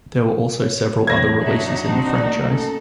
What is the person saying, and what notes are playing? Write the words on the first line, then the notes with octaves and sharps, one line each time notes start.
There were also several other releases in the franchise.
C#5
E2 G2 C4 G#6 A#6
F#2 D4 D#4 F#4 E5
C4 D4
A2 A#3 D5
C#4 A4